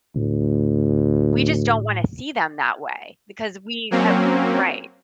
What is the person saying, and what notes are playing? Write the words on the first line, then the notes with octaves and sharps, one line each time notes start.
we just don't wanna see them that way because we have right.
D2 A2
F#3 A#3 C4 C#4